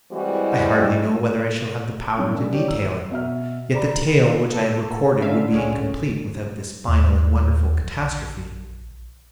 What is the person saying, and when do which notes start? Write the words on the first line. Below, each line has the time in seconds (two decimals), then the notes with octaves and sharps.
I hardly know whether I shall have the power to detail it; yet the tale which I have recorded would be incomplete without this final and wonderful catastrophe.
0.13 E3 G3 G#3 C4 E4 F#4
2.17 G2 D#3 F#3 B3 D4 E4
2.32 D#3 E3 G#3 A#3 C#4 D4
2.52 D4 E4 G4 C#5 D5
2.68 E6
3.11 B2 E5 F6
3.73 D5 A#5 B5
4.52 A4
5.22 D3 C#4 E5 F5
5.52 C#2 G#3 C#4
6.88 D#2
7.82 A#1